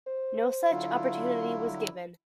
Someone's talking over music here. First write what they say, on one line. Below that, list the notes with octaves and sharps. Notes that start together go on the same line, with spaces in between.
No such opportunity was given.
C5
D3 F#3 E4 F4